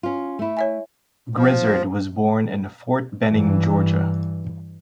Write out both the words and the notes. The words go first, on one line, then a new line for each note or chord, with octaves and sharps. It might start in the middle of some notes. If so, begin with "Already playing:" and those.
Grizzard was born in Fort Benning, Georgia.
C#4 F4
A3 E4
C#5 E5 G#5
F3
G2 E3